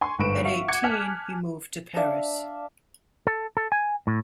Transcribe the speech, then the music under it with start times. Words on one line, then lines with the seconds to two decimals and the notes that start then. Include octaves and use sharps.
At eighteen he moved to Paris.
0.01 G#5 C6 C#6
0.19 G1 G#2 B4 C#6 D7 E7
0.45 F#4 E5 F5 C#6
0.68 F#5 D6 F#6 G#6 C#7
0.84 G#5 A5 F6 F#6 B6
1.96 D4 E5 F5 D6
3.27 A4
3.57 A4
3.72 G#5
4.07 A2